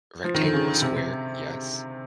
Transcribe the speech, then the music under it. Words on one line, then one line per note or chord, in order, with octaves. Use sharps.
rectangle a square? Yes.
F3
D#3
D3
C#3
C3
C3